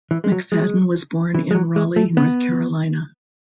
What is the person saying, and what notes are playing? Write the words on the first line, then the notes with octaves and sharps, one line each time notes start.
McFadden was born in Raleigh, North Carolina.
E3
G#3
F#3
G#3
E3
G#3
F#3
G#3
A3
B3